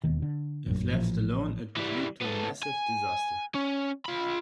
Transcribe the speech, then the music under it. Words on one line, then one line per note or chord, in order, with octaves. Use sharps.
If left alone, it would lead to a massive disaster.
E1 D#2 D#3
D3
F1 A#1 F#2
A1 A#2 F3
E3 G3
B3 A4
G#5
C#4 C#5
F4 B5